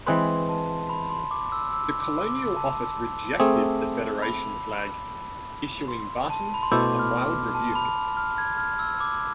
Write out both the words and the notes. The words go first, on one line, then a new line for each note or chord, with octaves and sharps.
The Colonial Office rejected the Federation Flag, issuing Barton a mild rebuke.
E3 G#3 C4 G#4 B4 C6
A5
B5
C6
D6
E6
E6
D6
D6
A5
A3 C4 G#4
B5
C6
A5
B5
C6
B2 A3 E4 A4 C5 D6
F6
D6
A5
B5
F6
G#6
F6
E6
D6